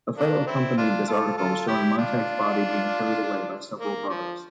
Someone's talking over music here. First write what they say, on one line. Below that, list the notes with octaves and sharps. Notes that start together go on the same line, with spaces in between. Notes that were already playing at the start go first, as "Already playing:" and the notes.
A photo accompanied this article, showing Montag's body being carried away by several brothers.
A#3 D4
C4 E4
D4 F4
F4 A4
F4 A4
E4 G4
D4 F4
A#3
F3